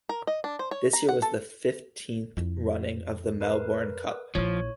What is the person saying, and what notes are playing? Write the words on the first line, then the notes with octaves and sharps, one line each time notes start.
This year was the fifteenth running of the Melbourne Cup.
A#4
D#5
D4
C5
C#5
A#5
F#5
A4
F2 E4
A#4 B4
A#1 F3 E4 C#5